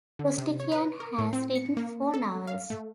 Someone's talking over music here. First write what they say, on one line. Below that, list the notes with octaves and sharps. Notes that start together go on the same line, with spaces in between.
Costikyan has written four novels.
D3
C3
C#5
B4
A#4
A2
C4
C#7
A#3
A4
F5
A3